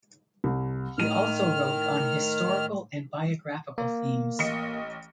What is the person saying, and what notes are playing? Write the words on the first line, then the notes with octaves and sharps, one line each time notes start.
He also wrote on historical and biographical themes.
C2
A2 D#3 F6 D#7
A#3
A1 D#5 C#7